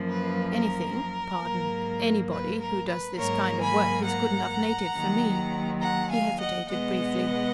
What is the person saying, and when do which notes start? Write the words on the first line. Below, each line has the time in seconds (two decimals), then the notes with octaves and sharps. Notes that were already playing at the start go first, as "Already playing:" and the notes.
"Anything--pardon, anybody--who does this kind of work is good enough native for me." He hesitated briefly.
Already playing: F#2 F3 A#3
0.09 B4
0.53 A#4
1.41 G#2 F#3 A#3
2.30 B4
2.59 A#4
2.87 B4
3.17 G#2 F#3 A#3 A#4 C#5
3.61 G#5 B5
4.05 F#5 A#5
4.93 D#2 D#3 F#3
5.80 F#5 A#5
6.10 F5 G#5
6.40 D#5 F#5
6.68 B2 G#3 B3 D#5 F#5